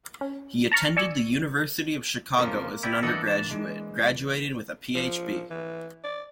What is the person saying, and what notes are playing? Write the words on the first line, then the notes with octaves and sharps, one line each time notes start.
He attended the University of Chicago as an undergraduate, graduating with a Ph.B.
C#4
A5 A#5 C#6 F6
D5 G#5 C#6 E6
F2 C#3 F3 A#3
E4 G4 D5
E3 D4 A4 D#5 F#5
A5
G#3
F3
E3
D5